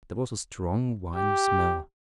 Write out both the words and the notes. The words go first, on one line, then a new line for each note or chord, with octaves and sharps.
There was a strong, winey smell.
G4